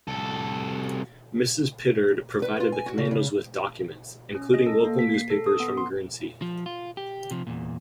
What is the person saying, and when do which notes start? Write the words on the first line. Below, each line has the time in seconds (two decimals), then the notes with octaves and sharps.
Mrs Pittard provided the commandos with documents, including local newspapers from Guernsey.
0.08 C2 A4
2.42 B4
2.60 F4
2.72 G#5
2.86 F#4
2.98 C#3
3.11 C#3
4.35 C#4
4.54 D#5
4.67 A4
4.84 A#3
4.99 B6
5.14 C7
5.30 A4
5.46 D#6
5.60 B3
5.77 C6
6.42 F3
6.66 F4
6.97 G4
7.31 C3 F3
7.47 E2 A#2